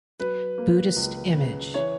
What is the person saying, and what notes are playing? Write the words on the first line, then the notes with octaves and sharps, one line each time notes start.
Buddhist image.
F#3 B4
A#3
C#2
C#3
E3 C#5